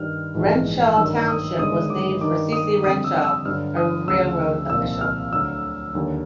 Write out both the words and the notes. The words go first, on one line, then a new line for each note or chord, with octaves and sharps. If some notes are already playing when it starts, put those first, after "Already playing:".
Wrenshall Township was named for C. C. Wrenshall, a railroad official.
Already playing: G2 D#3 G3 F6
A#1 G#2 E3
G2 D#3 F#3 E6
D#6
G1 G2 D#3 G#3 D#6
D6
G2 D#3 G3 D6
D#6
F2 D3 G3 D#6
E6
E6
G2 D3 F#3 F6
D#6
D2 C#3 F3 E6
C2 A#2 F3 E6
F6
D2 D3 F#3 E6
D#2 D3 F#3